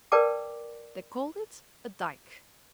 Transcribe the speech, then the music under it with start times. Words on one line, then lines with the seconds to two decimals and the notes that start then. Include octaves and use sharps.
They called it a dyke.
0.12 A#4 B4 D5 G5 A5 D6